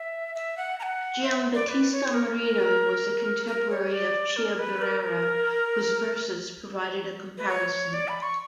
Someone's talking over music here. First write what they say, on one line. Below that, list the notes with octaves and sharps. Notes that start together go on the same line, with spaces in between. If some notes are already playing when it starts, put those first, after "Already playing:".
Giambattista Marino was a contemporary of Chiabrera whose verses provide a comparison.
Already playing: E5
E5
F#5
A#5
F#5
E5
D5
B4
C#5
A#4
A#4
C#5
D5
A#4
B4
A#4
B4
C#5
D5
B5
C#6